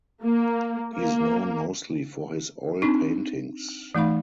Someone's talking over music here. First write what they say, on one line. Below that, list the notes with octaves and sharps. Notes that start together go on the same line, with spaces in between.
He is known mostly for his oil paintings.
A#3
A#3
C4 D4 D#4
E3 A3 D#4 F5 B5